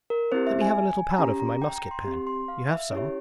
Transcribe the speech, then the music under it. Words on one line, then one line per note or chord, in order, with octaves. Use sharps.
Let me have a little powder for my musket-pan--you have some?
A#4
C4 E4 G4 C5
E5
G#5
C#4 G4 A#5
A#5
G5
A#5
C6
C4 G4
C6
F5
E5
C#4 E4 G4 C#5